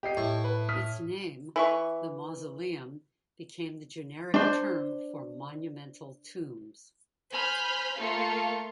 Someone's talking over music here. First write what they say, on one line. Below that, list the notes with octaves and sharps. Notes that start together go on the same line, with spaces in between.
Its name, the Mausoleum, became the generic term for monumental tombs.
G4 D#5 C7
A2 C#6
B4
D#6 F6 B6
E3 E5 C#6
D4 C5
C5 G#5 B5 F6 G6
A3 A#3 F4 F5 C#7